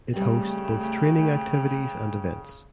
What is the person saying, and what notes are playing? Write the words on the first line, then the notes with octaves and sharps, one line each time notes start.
It hosts both training activities and events.
C#3 G3 A3 C4 G5